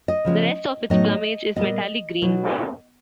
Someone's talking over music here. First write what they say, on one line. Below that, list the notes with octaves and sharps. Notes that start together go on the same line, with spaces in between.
The rest of its plumage is metallic green.
D#5
C#3 F3 G#3 B3
A2 F#3 B3 D#4 D#5
A#2 G3 B3 D#5
B2 F#3 B3 D#4